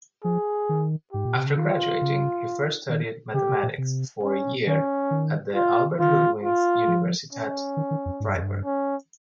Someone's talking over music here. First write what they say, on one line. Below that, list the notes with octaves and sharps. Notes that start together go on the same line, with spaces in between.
After graduating, he first studied mathematics for a year at the Albert-Ludwigs-Universität Freiburg.
F3 G#4
D#3
G#2 G4
A#2
C3
C#3
D#3 F4
C#3
D#3
C#3 G4
C3
A#2
C3
C#4
D#3 C#4
D#3
F4
D#3 F4
F4
F3
C#4
D#3
D#3
F2
G#2
G2
F2
G2
C#4